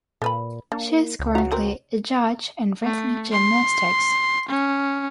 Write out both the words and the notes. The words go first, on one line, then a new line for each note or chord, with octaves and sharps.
She is currently a judge in rhythmic gymnastics.
A#2 A4 B4 B5
A#3 D4
C#2
F#4 F5 A#5
C4 A#4 B4
A3
C6
C#4